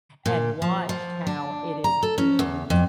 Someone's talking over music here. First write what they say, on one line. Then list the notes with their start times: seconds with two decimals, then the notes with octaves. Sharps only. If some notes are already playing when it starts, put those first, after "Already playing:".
and watched how it is boomed,
0.26 A#2
0.62 F3
0.89 F3
1.27 D4
1.84 A#5
2.03 A4
2.18 C#4
2.39 E2
2.70 F2